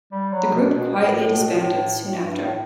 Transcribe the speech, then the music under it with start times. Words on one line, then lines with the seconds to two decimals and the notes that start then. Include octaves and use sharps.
The group quietly disbanded soon after.
0.12 G3
0.33 F#3
0.53 B2
0.75 B2
0.96 A2
1.17 A2
1.38 B2
1.59 A2
2.22 G2
2.43 A2